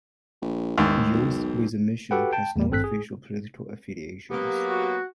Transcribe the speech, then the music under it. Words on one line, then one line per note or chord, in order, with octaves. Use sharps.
Youth with A Mission has no official political affiliations.
A#1
E1 D#2 G#2
B1
F#4 G4 A4 B4 F#5 G5
G5 A5
E2 G3
G#1 G2 C4 A4 F#6 B6
G#4
F#3 A#3 B3 G4
F#4